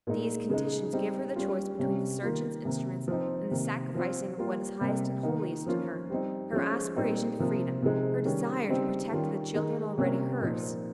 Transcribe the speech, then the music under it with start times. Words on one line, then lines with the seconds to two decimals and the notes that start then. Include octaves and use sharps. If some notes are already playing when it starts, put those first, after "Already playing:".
These conditions give her the choice between the surgeon's instruments and the sacrificing of what is highest and holiest in her--her aspiration to freedom, her desire to protect the children already hers.
0.07 A#2 G#3 D#4
0.49 C#3 G#3 D#4
0.93 G3 C4 D#4
1.36 G3 C#4 F4
1.79 C3 G3 C#4
2.23 D#3 A#3 F4
2.65 C3 D#3 A#3
3.08 F3 C4 D#4
3.51 C3 D#3 A#3
3.95 F3 C4 F4
4.38 G3 A#3 F4
4.81 C3 G3 A#3
5.23 D#3 A#3 D#4
5.66 F3 A#3 C#4 F4
6.10 G3 C4 D#4
6.53 F3 G#3 C#4 F4
6.96 A#2 G3 C4 D#4
7.39 C3 F3 A#3
7.82 C3 F3 G#3 D#4
8.25 D#3 G3 C#4
8.69 C#3 G3 C4 D#4
9.11 D#3 G3 C#4 F4
9.55 D#3 G#3 D#4
9.98 C3 G3 A#3 C#4
10.41 A#2 F3 A#3 D#4